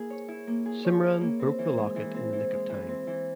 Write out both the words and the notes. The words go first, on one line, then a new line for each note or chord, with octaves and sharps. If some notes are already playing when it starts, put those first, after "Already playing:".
Simran broke the locket in the nick of time.
Already playing: A#3 E4 G#4
C#5
E4
A#3
G#4
C#5
E4
A#3
C4
E3
G#3
E3
C4
E3
G#3
E3
C4
E3